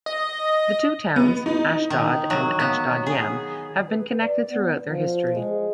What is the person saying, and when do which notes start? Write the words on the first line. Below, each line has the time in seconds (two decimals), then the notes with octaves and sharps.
The two towns, Ashdod and Ashdod-Yam, have been connected throughout their history.
0.06 D#5
1.16 B3
1.46 D#4
1.90 D#3
2.30 F#3
2.59 B3
3.06 G#4
3.89 B4
4.22 D5
4.50 B3
4.89 F3
5.36 G#3